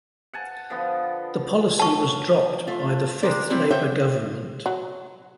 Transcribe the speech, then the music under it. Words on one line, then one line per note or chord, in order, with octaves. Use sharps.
The policy was dropped by the Fifth Labour Government.
F#5 G#5 A5
D3 F3 B3
F#2 A5 C#6
A3 F4
G#3 A3 G4 A#4 C5 D5
G3 C4 E4 F4 D5
G4 C5 C#5 E5 F#5 G5
F#3